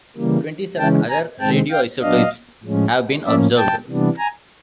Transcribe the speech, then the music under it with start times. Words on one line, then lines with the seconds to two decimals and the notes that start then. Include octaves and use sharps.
Twenty-seven other radioisotopes have been observed.
0.16 C#3 E3 G3 A#3
0.78 C#3 E3 G#3 C#4 G5 A5
1.09 G#5 A#5
1.39 C3 D#3 G#3 C4 G5 A5
1.71 F5 G5
2.01 A#2 F#3 B3 D4 D#5 F5
2.64 A2 F3 G#3 C#4
3.25 A2 F3 A#3 C#4 D5 E5
3.57 G5 A5
3.88 C3 E3 G3 B3 D4
4.18 G#5 A#5